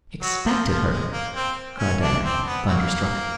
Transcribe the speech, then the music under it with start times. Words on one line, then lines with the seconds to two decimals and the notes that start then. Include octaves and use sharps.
"Expected her!" cried Diana, thunderstruck.
0.22 F#3
0.45 F3
0.68 F3
0.89 G#3
1.12 A#3
1.35 C4
1.79 C#4
2.02 D4
2.24 C4
2.46 B3
2.68 D3 F#3 A#3